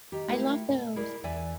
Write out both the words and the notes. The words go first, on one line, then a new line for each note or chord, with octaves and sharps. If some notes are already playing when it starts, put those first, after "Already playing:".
I love those.
D#3 G4
A3 E4 F4 G4 A#4 F5
B2
E4 G#4 A#4 D5
E2 E3 D5 E5 G#5